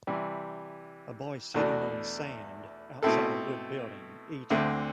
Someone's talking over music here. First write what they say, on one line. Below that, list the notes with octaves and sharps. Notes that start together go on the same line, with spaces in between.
A boy sitting on sand outside a wood building eating.
C3 E3 G3
E2 B2 A3 D4 F#4
B2 A3 C4 E4 A4
D2 D3 A3 C4